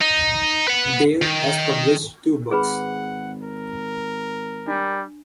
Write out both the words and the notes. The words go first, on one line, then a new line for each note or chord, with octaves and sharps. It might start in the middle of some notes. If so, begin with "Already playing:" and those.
Dale has published two books.
D#4
B4 F#5
D#3
G#1 G#4 B4 F#5 B5
A#4
G3 D4